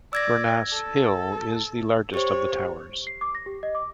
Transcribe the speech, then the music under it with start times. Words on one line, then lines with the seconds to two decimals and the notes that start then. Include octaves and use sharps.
Furnas Hill is the largest of the towers.
0.13 D5 E6 G#6 A#6
0.73 A4
2.14 G4 C5 C#5
3.07 C7
3.21 D6
3.35 A#6
3.46 G4
3.63 D#5
3.75 D6